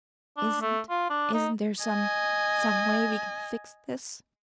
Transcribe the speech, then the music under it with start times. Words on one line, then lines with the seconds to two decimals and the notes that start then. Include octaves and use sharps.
"Isn't--isn't there some--some way we can fix this?"
0.37 D4
0.62 A3
0.90 F4
1.10 D4
1.34 D#4
1.84 D#5 G#5